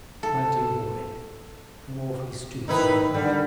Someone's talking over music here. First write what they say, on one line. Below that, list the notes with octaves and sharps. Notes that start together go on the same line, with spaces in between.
My dear boy, I'm awfully stupid about that.
A4
D#3 D#4 E4 B4
D3 G3